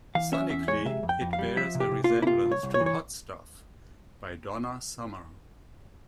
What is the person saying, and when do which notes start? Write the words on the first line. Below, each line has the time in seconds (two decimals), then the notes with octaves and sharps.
Sonically, it bears a resemblance to "Hot Stuff" by Donna Summer.
0.15 E3 F5
0.32 C#4 E5
0.50 E2 E5
0.68 G#3 C#5
0.85 C3 E5
1.03 F2
1.09 G5
1.21 F2
1.33 F5
1.39 G3
1.57 F3 E5
1.75 C3
1.80 G4
1.91 C3
2.04 F4
2.10 A#3
2.22 E4
2.27 C3 F4
2.45 C2
2.52 C#5
2.63 C2
2.74 C#5
2.80 E3
2.86 C#5